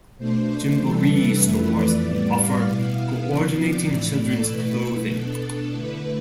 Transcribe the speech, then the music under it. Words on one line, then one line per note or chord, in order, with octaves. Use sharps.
Gymboree stores offer coordinating children's clothing.
B2 A3 D4 C5
C3 E3 G3 D4 A4
B4
F2 E3 A3 E4
D5
A2 G3 B3
F5
B2 B3 E4 F5
C3 F3 B3 D4
D5
A2 E3 A3 D5
A4
B2 A3 E4 B4
B2 B3 D4 A4
D3 A3 E4 B4